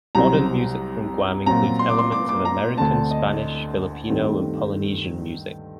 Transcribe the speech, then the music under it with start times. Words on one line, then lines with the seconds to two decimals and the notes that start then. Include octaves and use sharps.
Modern music from Guam includes elements of American, Spanish, Filipino and Polynesian music.
0.15 C2 C3 F#3 C4 A#5
1.46 A#2 F#3 C4 A#5
1.79 C6
1.89 D6
1.99 C6
2.12 D6
2.29 D6
2.45 A#5
2.78 D2 D3 A3 C4 A5
3.11 D#5
4.09 G2 D#3 A3 C4